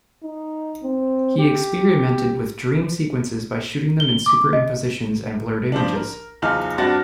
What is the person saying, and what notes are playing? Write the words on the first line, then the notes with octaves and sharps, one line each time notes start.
He experimented with dream sequences by shooting them in super impositions and blurred images.
D#4
C4
G4
G7
D6
D#5
F3 G3 D4
A#4
F#1 E2 D#4 F4 F6
G2 C4 D4 F#4 A6 A#6